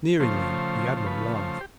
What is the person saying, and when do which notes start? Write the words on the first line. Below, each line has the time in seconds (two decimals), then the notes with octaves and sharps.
Sneeringly the Admiral laughed.
0.20 C#3 F3 A3 C5
0.97 C5
1.07 B4
1.35 C5
1.61 G4